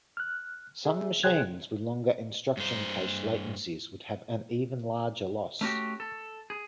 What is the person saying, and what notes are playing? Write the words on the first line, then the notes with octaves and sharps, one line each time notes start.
Some machines with longer instruction cache latencies would have an even larger loss.
F6 F#6
G#4 E5
C2 G#4 C5 G5 F#6 G#6
G2 C5
A3 C#4 F#4 G4
A4
G#4